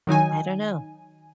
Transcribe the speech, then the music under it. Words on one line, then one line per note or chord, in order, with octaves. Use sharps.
I don't know.
D#3 F#3 D#4 G#5